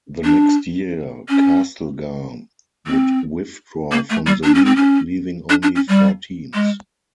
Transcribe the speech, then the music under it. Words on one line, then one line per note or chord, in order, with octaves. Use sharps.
The next year, Castlegar would withdraw from the league, leaving only four teams.
D4
C#4
C4
A#3
A3
G3
D4
C#4
C4
C#4
D4
D4
C#4
G3
G#3